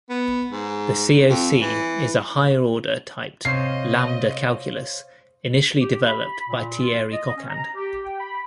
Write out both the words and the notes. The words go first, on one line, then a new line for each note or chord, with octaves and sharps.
The CoC is a higher-order typed lambda calculus, initially developed by Thierry Coquand.
B3
G#2
F2
E3
C3 C5 C#5 D#5 F5 C7
G4
B5
A#2
F4
D#5
C#4
A#5
G4
G5
B5